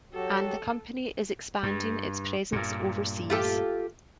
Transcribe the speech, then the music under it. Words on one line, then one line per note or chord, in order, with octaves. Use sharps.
And the company is expanding its presence overseas.
F#3 F#4 G4 A4
G2
G2 A#2
F4 G4 A4